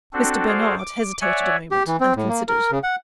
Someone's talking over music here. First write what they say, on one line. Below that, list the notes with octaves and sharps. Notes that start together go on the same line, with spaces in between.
Mr. Bernard hesitated a moment, and considered.
C4 D4 F#4 A4
F#4 G#4 A4 C5 D5 F5
D6
C#5 D5 E5 F#5 G#5
G4
E3
C4
A2
A#3
A#4
C#3
F#5